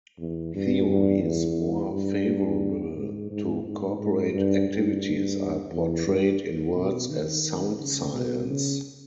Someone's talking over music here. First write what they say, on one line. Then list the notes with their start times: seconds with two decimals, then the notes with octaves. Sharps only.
Theories more favorable to corporate activities are portrayed in words as sound science.
0.19 E2
0.54 G2
0.88 G2
1.22 E2
1.92 G2
2.96 G#2
3.31 G#2
3.64 G#2
3.99 G#2
4.34 G2
4.69 G2
5.72 E2
6.06 G2
6.76 B2
7.11 D#3
7.79 C#3
8.14 B2
8.49 C#3